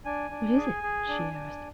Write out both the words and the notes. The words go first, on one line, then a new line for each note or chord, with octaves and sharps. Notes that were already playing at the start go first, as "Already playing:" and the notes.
'What is it?' she asked.
D4 G#5
D4
G#4
G#4
D4
D4